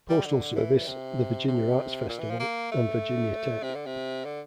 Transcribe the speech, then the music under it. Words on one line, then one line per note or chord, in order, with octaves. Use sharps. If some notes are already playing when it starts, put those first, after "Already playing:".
Postal Service, the Virginia Arts Festival and Virginia Tech.
G3
D3
E3
C3
C3
A#2
E3
F3
A#3
A3
C3
D3
C3
D3